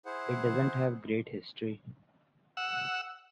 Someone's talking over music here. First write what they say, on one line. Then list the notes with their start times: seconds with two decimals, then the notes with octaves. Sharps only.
It doesn’t have great history.
0.06 E4 G#4 C5 F#5
2.57 F#5 E6